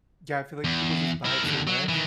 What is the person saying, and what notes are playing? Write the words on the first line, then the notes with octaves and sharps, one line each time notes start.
Yeah, I feel like people just buy too much,
E2
E4 A#4
D#2 D3
F#3
D#3 E3